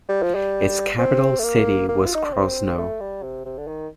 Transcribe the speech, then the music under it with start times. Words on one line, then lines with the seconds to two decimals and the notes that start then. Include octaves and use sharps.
Its capital city was Krosno.
0.09 G3
0.22 F3
0.35 G3
0.98 C4
1.39 A3
1.44 A#3
1.89 A#3
2.06 F4
2.15 D#4
2.24 D4
2.33 C4
2.78 A3
3.01 G3
3.23 C3
3.45 C3
3.58 D3
3.68 D#3